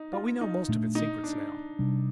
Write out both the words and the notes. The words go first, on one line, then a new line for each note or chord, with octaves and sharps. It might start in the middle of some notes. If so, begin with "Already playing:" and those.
But we know most of its secrets now.
Already playing: D#4
F4
D#4
A#2 A3 D4
D#4
D4
C3 G3 D4